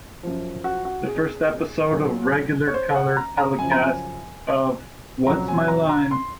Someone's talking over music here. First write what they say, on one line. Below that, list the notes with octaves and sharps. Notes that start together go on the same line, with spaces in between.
The first episode of regular color telecasts of What's My Line?
F#2 F3
F#4
F#4
G#4
A#2 F#3
C#5
C5
F#5
A#5
A#5
F#2 C#3 F3 G#5
A#5
G#5
F2 C#3 F#3 A#5
G#5
A#5
A#5
C6